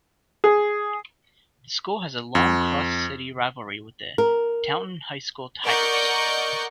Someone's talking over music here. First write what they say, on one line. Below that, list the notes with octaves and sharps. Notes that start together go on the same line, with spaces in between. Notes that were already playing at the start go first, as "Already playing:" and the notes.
The school has a long, cross-city rivalry with the Taunton High School "Tigers".
G#4
F2
A#4
A#4 D5 D#5 F#5 C#6 G6